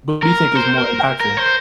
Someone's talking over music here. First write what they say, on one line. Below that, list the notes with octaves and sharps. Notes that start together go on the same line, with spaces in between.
What do you think is more impactful?
A#4
C5
A#4
A#4
C5